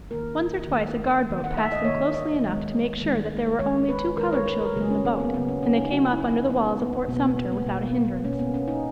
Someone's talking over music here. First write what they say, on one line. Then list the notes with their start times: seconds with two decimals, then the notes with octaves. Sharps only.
Once or twice a guard-boat passed them closely enough to make sure that there were only two colored children in the boat, and they came up under the walls of Fort Sumter without a hindrance.
0.11 D#3 A#3 A#4
0.68 D#3 A#3
1.27 D#3 A#3
1.44 F#5
1.57 E5
1.72 D#5
1.85 D#3 A#3 C#5
2.14 D#5
2.44 D#3 G#3
3.02 D#3 G#3
3.59 D#3 G#3 C#5
3.89 B4
4.17 D#3 G#3 A#4
4.33 C#5
4.46 B4
4.61 A#4
4.75 C#3 F#3 A#3 G#4
4.90 C#4
5.05 A#3
5.20 B3
5.34 C#3 F#3 A#3 B3
5.49 C#4
5.63 C#4
5.77 D#4
5.92 C#3 F#3 A#3 F#4
6.12 E4
6.31 D#4
6.50 C#3 F#3 A#3 B3
6.65 B3
6.80 B3
7.08 B2 B3
7.13 A#3
7.23 B3
7.37 B3
7.52 A#3
7.66 B2 A#3
7.86 B3
8.05 B3
8.24 B2 A#3 C#4
8.39 B3
8.54 C#4
8.68 D#4